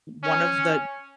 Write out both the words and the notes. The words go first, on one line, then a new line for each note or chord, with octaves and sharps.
one of the
C#4